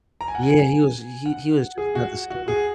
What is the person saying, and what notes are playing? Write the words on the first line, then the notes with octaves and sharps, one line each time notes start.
Yeah, he was he he was just not the same.
A#5
G#5
F#5
G#5
F#5
G#4
F#4
F#4
G#4